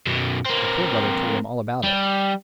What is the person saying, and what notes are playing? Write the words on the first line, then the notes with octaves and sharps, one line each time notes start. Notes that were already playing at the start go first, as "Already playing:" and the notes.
The Poor Brother told him all about it.
F#2 B2
A#3 C4
G3